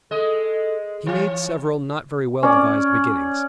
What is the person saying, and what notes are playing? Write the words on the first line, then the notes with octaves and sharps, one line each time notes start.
He made several not very well-devised beginnings.
G#3 A4 D#5
E3 C#5
C#4 D5